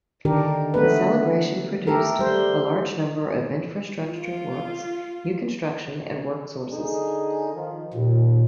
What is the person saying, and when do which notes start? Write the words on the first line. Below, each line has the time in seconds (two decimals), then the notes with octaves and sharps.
The celebration produced a large number of infrastructure works, new construction and work sources.
0.25 D3 D#3 D4 G4 A#4
0.74 A3 B3 B4
1.87 A3 G4 A4 A#4
2.19 G3 C5
4.06 F4
6.71 D3 D#4 G#4
7.54 D#3 F3
7.94 D#2 A#2